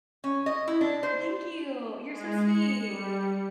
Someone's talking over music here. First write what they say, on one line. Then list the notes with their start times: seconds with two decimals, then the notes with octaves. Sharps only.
Thank you. You're so sweet.
0.24 C#4
0.46 D#5
0.68 E4
0.81 D4
1.03 C5
2.06 G#3
2.43 C#7
2.85 G3